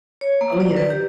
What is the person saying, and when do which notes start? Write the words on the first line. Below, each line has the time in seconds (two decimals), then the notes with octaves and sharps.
Oh, yeah.
0.21 C#5
0.41 A#3
0.60 D5
0.76 B4
0.90 G4